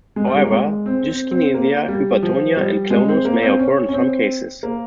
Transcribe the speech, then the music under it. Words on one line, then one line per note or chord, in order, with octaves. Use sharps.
However, dyskinesia, hypertonia, and clonus may occur in some cases.
G#3
G3
G#3
A#3
G#3
C4
C4
C4
A#3
G3
F3
G3
G#3
C4
A#3
C4
C#4
C#4
C4
A#3